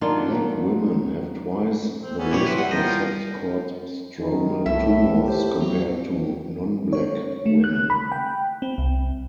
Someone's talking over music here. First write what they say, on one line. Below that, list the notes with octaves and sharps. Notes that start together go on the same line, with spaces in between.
Black women have twice the risk for sex cord-stromal tumors compared to non-Black women.
D#3 F#3 A#3 D4 F4
C4
E3 B3 C#4
A#1 G3 E4 C#5
C3 B4
G3 F#5
F3 G3 A#4 D#5 G5
D#3
C2 A2 E5
G4 C5
F#3 C4 F#4
C#5
A3
F#6
B5
G5
C4
C2